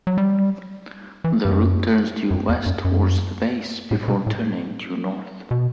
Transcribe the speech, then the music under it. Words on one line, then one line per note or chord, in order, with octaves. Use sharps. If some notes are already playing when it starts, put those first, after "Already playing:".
The route turns due west towards the base, before turning due north.
F#3
G3
E3
G2
F#2
F#2
E2
F#2
F#2
A2
B2
A2
B2